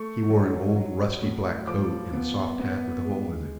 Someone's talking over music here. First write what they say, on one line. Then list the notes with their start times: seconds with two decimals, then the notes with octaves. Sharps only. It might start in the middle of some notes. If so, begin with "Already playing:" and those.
He wore an old rusty black coat and a soft hat with a hole in it.
Already playing: A3 C#6
0.30 F#3
0.76 F#3
1.22 A2
1.67 F3 D6
2.13 B3
2.59 B3
3.05 G#3